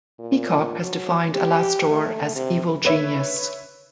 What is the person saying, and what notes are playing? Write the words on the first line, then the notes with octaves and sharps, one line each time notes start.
Peacock has defined Alastor as evil genius.
A#2
F#3
G4
A3
C3
B4 C#5 E5